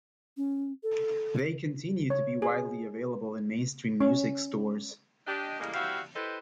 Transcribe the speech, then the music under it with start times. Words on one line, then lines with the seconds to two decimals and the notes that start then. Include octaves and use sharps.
They continue to be widely available in mainstream music stores.
0.37 C#4
0.83 A4
2.10 C#5
2.42 G#4
4.01 C#4
5.27 D4 G4 D#5
5.60 A2 C#3 G3 G#3 A#3
5.74 G3 C4 E4 F#4 F5
6.15 E4 G4 A4 B4 C5 D#5